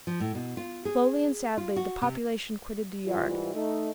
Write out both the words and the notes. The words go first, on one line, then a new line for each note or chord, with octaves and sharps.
Slowly and sadly the population quitted the yard.
F3
A2
B2
F4
G#4
F4
F#4
C3
G#2 E3 G3 F4
A3 D#4